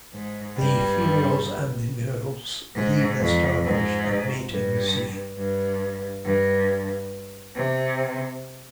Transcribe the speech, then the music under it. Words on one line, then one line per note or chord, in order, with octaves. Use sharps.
The females and the males leave the starfish and mate in the sea.
G#2
G2 G3
G#2
F2
G#2
G2
G2
G2
C3